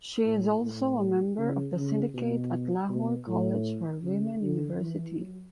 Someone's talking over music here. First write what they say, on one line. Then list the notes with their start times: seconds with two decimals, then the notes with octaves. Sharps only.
She is also a member of the Syndicate at Lahore College for Women University.
0.25 A2
0.63 A2
1.38 C#3
1.76 C#3
2.14 B2
2.89 B2
3.27 A2
4.03 C#3
4.41 D3
4.79 E3
5.17 F#3